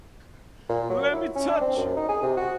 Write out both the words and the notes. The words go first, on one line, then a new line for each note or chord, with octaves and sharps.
Let me touch you!
A#2
F#3
E4
C#4
D4
C4
F#2
D#4
G#4
C3
F#4